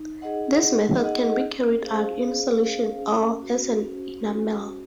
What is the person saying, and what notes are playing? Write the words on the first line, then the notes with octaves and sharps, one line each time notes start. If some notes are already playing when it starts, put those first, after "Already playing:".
This method can be carried out in solution or as an enamel.
Already playing: D#4
G#4 D#5 F#5
D#4
G#4 D#5 F#5
C#4
G#4 C5 F5
C#4
G#4 C5 F5
C#4
F#4 C5
C#4